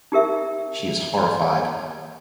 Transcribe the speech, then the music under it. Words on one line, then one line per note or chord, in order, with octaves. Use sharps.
She is horrified.
D#4 G4 A#4 E5